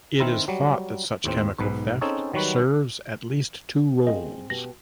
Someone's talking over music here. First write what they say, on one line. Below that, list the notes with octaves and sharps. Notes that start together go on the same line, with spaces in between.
It is thought that such chemical theft serves at least two roles.
D#3 C4 E4 A#4
F#3 G3
D#2 A2 C4
B1 G#2 B4
C4 C#4 D#4 G#4 A4 C#5
D#3 F#3 G3 F#4 B4
C4 G#4 D#5
B2 G4 A#6